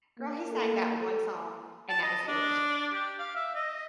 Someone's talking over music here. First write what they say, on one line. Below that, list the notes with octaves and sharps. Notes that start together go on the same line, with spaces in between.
Girl, he sang that one song, and that was it.
A#3
A4
A5
D#5
D4
G4
F5
E5
D#5